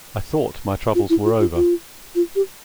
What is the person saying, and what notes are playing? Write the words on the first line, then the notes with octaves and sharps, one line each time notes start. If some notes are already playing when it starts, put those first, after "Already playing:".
I thought my troubles were over.
F4
E4
F4
F4
F4
F4
G4